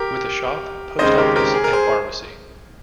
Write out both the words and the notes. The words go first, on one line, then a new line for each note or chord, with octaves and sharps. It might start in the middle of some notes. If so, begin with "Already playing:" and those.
With a shop, post office and pharmacy.
Already playing: G4 A#4
D#2 C#3 G#3 C4 D#4 C5 D#5
G4 A#4
G4 A#4
G#4
A#4
G#4 C5